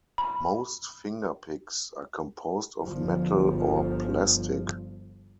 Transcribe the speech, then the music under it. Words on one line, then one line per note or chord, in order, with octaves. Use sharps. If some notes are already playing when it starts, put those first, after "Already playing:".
Most fingerpicks are composed of metal or plastic.
B5
G1 F3